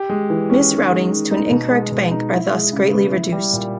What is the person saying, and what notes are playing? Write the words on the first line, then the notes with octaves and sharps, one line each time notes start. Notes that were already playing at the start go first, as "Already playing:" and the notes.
Mis-routings to an incorrect bank are thus greatly reduced.
Already playing: G4
G#3
E3
C#4
D#3
G#3
D#3
D#4
B2
G#3
B2
D#4
E4
G#3
C#3
B3
E4
G3
A#2